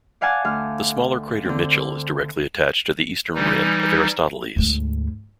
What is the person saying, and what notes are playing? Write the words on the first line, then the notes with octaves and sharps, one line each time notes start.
The smaller crater Mitchell is directly attached to the eastern rim of Aristoteles.
D5 F5 F#5 G#5 A5
D2 F5 F6
D3 C4
E3 G3 D#4
D2 G#2